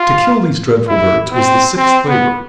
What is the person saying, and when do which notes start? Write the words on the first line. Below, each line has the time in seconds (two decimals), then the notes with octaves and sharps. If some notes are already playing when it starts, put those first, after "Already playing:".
To kill these dreadful birds was the sixth labor.
Already playing: F4
0.88 E4
1.32 C4
1.77 C4
2.07 B3